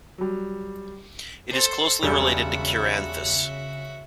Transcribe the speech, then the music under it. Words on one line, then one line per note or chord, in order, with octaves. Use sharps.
It is closely related to "Cheiranthus".
F#3 G3
A4 C5
E1 C#3 G3 F#4 E5